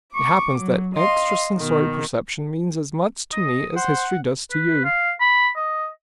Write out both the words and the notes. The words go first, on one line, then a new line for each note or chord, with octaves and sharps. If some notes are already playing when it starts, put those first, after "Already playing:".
It happens that extrasensory perception means as much to me as history does to you.
C#6 D6
F#3
D#5 F5 C6
B2 D#3
D#5 D#6
C5 F#5
B4
F5
B5
D#5